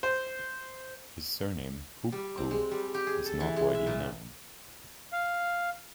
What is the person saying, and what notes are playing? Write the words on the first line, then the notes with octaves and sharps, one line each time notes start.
His surname, Poupko, is not widely known.
C5
G3
C4
G#3
G3
G4
G#4
A4
E3
G#3
E5
A#2
F5